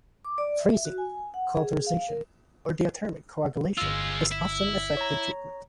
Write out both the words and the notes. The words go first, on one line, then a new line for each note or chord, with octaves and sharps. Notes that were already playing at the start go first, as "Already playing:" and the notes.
Freezing, cauterization, or diathermy coagulation is often effective treatment.
D6
D5
E5
F#4
G#5
F#5
G#4
F5
A#4
G1 G#3 F4 E6
E4
C#5 A#5